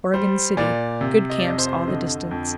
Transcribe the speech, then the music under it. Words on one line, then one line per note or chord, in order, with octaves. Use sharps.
Oregon City.--Good camps all the distance.
G3 C5
A#2 D5
C3
D#5
D5
F2 D#5
C5
D3 D#5
F2